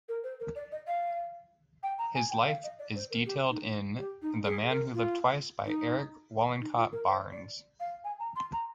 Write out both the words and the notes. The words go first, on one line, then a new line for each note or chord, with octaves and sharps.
His life is detailed in "The Man Who Lived Twice" by Eric Wollencott Barnes.
A#4
C5
A#4
D5
D#5
F5
G5
A#5
G#5
G5
F5
D#5
D5
C5
A#4
G4
D#4
G4
D#4
G#4
A#4
F4
D#4
D#4
F4
A#4
C5
D5
F5
G#5
A#5
C6
A#5